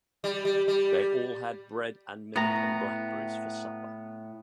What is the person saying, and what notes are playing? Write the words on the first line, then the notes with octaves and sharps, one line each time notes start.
They all had bread and milk and blackberries for supper.
G3
G3
G3
A2 B3 A#5